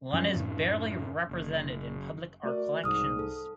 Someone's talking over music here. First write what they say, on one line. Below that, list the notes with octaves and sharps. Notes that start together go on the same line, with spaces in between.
Lunn is barely represented in public art collections.
F#2 F3 C#4
F#2 A2
F#1
A3 F#4 A#4 D5
C2 G#2 D#6 F6
A4